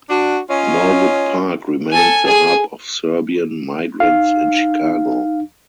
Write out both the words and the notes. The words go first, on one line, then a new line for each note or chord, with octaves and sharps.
Norwood Park remains the hub of Serbian migrants in Chicago.
D4 F#4
C#4 F4 C#5 D#5
A4 G#5
G#4 G#5
D#4 F5